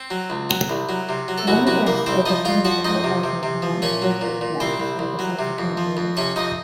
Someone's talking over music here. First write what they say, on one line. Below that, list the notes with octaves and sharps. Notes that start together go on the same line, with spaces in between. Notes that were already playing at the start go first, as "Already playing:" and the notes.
Nonetheless it became a cult item amongst record collectors over subsequent years.
Already playing: C4
F#3
C#2
F#3
C2
F#3
C3
F#3
A4
C2 F#3 F#4
C2 F#3 F#4
C2 A#3 A#4
C2 C4 C5
F3 D#4 D#5
F2 F4 F5
F3 F#4 F#5
F2 D#4 D#5
C3
C3
C3
F3
A#2 C#4 C#5
F#3
A#2
A#2
C2 C4 C5
C2
C2
F#3
C3
F2
F3
F2
C3 C#4 C#5
F2 D#4 D#5